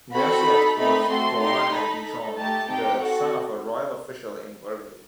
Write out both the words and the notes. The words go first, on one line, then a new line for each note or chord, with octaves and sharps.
Nerciat was born at Dijon, the son of a royal official in Burgundy.
C4 F#4 A4 B5
D#4 A4
A3 C4 D#4 B5
A3 C4 F#4 A4 C6
D#4 G4 C6
D#4 A4 B5
D#4 A4
A3 D#4 G4 A5
C4 D#4 G4 G5
C4 F#4 A4 F#5